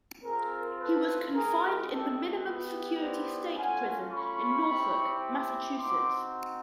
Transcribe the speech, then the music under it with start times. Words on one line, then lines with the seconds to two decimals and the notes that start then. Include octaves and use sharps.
He was confined in the minimum security state prison in Norfolk, Massachusetts.
0.24 C4 F4 G#4 A#4
0.80 A4 B4
1.35 G#3 C4 E4 G#4 A#4
1.91 G4 A4
2.47 B3 E4 G4
3.01 C5 D5
3.57 A3 C#4 F4 F#5 G#5
4.12 B5 C#6
4.68 C4 E4 G4
5.79 C4 D#4 F#4 C6 D6